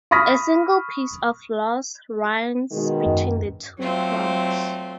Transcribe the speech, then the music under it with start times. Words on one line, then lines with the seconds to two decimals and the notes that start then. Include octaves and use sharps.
A single piece of floss runs between the two prongs.
0.11 B5 C#6 D#6 F6 A#6 B6
2.72 B2 D#3 G#3
3.06 F#2
3.79 F#3 A3 C4 F4